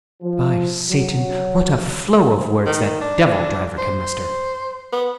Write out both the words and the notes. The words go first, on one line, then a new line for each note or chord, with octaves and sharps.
By Satan, what a flow of words that devil driver can muster!
F3
F#3
D#3
D4
C5
B3